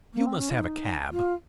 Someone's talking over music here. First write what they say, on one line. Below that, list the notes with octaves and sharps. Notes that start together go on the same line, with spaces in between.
"You must have a cab."
A#3
C4
C#4
F4
D#4
F4